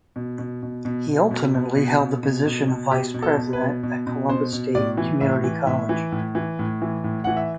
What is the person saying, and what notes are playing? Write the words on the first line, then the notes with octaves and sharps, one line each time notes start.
He ultimately held the position of Vice President at Columbus State Community College.
B2
B2
B2
B2
B2
B2
B2
B2
B2
B2
B2
B2
B2 G4
B2
A4
B2
B4
B2
B2
B2
B2 C5
B2
A2 D5
E3
A2 E5
E3
A2 E5
E3
A2
E3
A2
E3
A2
E3 F#5
E5